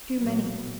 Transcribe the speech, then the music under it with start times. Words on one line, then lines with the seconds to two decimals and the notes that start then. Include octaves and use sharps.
Too many.
0.17 B1 A#2 F#3 B3